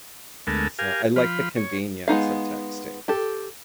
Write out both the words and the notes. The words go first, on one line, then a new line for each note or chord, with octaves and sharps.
So I like the convenience of texting.
D2 G#3 A3 B3 A4 A#4
G4 A#4 F5 G#5
F3 F4 B5
C#5
G#3 B3 D#4 F5
G4 A4